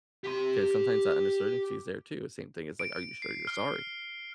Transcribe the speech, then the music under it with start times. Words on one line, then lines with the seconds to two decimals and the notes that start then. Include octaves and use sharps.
'cause sometimes that uncertainty is there too, same thing is like, are you sure you're sorry?
0.24 G4 C6
2.79 D7
3.22 C7
3.47 F6